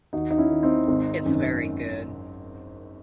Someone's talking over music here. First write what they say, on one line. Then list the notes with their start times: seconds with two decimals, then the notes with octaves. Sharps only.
It's very good.
0.13 D#2 D#4 F#4
0.31 D#4
0.38 C#4 E4
0.51 D#3
0.63 C4 D#4
0.88 G#1
1.25 F#2 D#3